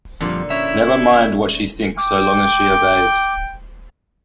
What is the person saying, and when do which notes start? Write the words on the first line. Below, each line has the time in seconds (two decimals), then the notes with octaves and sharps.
Never mind what she thinks so long as she obeys.
0.21 F2 A#2 D3 F3 G3
0.50 C#4 E4 C#5 E5
1.98 G5 D6